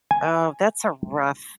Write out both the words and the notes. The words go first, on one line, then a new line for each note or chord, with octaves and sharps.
Oh, that's a rough
G#5